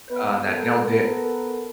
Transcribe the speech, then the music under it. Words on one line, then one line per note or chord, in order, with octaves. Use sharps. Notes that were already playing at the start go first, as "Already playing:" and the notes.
uh, that nailed it
B3 B4
B3 A4 A#4